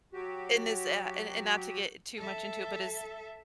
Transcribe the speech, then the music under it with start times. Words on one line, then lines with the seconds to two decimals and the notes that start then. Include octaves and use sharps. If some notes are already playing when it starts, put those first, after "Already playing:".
in this a and and not to get too much into it, but is
0.13 F#3 F#4 G4
2.17 A4 E5